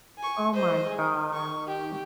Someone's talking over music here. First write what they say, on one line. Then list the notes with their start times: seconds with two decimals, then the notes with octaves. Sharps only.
oh my god.
0.18 G#5 C#6
0.53 C5 D#5
0.90 G#4
1.33 C#6
1.67 G4